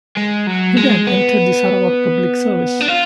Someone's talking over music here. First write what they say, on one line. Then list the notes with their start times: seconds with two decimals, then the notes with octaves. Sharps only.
He then entered the Sarawak public service.
0.17 G#3
0.47 F#3
0.77 G#3
1.07 B3
2.81 D4
2.88 F4